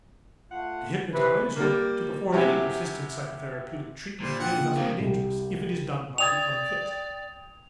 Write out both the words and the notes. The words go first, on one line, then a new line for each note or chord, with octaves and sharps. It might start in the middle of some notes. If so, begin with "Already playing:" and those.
To hypnotize or to perform any persistent psychotherapeutic treatment may thus be dangerous, if it is done by the unfit.
A3 F4 F#5
C3 E3 B4
G3 A#3
C3 F#3 C#4 E4 G4
A#2 G3 C5
D4 F4 F#5 G5
C#3 A#3
C3 F3 A#3 C4 D#4
C2 G3
D5 G5 D#6 G#6 F7